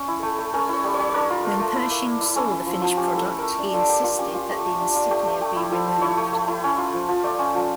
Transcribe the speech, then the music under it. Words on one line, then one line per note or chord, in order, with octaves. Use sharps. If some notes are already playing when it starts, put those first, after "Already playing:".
When Pershing saw the finished product, he insisted that the insignia be removed.
Already playing: C#4 C#5
E4
A3
A3
C#4 A#4
E4 C#5
G3
C#5
G3
C#5
D4 A#4
F4
A3
A3
E4
A#3
A#3
E4
C#4 A4
E4
F3
F3
C#4 G4
E4 A4
A3
A3 A#4
D4
F4 A4
A#3 G4
A#3 F4
C#4 G4
F4
A3 G4
A3
D4
F4
A3 G4
A3
A3 G4
E4
F3 A4
F3
E4 C#5
A3
A3
E4
C#4
F4
F3
F3
A3 D5
C#4
F3